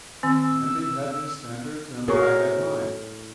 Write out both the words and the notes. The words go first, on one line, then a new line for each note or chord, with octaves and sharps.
Andy had his standards and I had mine.
D#3 C4 E6
A2 F#4 G#4 A#4 C#5